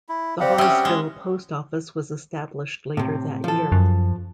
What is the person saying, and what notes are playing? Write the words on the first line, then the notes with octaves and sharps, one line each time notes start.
The Hawesville post office was established later that year.
E4
C4 G4 C5 D5 F5 F#5
G3 C#4 E5 D#6 E6
G#3
A2 C3
F3 A4
F#2